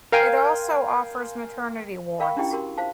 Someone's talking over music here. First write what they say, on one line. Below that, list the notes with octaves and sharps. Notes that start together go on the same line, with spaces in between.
It also offers maternity wards.
A#4 F5 G5 G#5 C6
A#4 F5 G5 B5 C#6
C#4 D4 E4 G4 D#5 G5
F#4 G4 A#4 C6
F4 C5 F5 A5